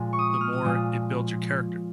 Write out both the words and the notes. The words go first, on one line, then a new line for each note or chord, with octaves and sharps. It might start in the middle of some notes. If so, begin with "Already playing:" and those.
the more it builds your character,
Already playing: A#2 F3 G#3
C#6
D#6
D#6
F6
D#6
A#2 F3 G#3